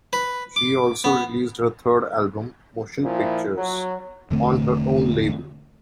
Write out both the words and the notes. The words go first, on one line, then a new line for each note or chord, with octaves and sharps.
She also released her third album "Motion Pictures", on her own label.
B4
D6
B3
A#2 F3 E4
F#3
E1 D3 A3 C4